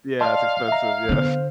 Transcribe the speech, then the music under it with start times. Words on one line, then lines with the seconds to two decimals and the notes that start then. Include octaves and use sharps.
Yeah, it's expensive. Yeah.
0.21 D5 D#5 F5 A5 C6
0.68 D#5 E5 A#5
1.09 D3 B3 D4 C5